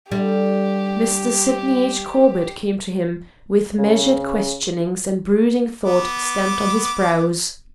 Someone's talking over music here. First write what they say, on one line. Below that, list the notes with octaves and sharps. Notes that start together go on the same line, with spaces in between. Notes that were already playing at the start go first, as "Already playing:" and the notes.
Mr. Sydney H. Corbett came to him with measured questionings and brooding thought stamped on his brows.
D3 G3 G4
C#3
B3 D6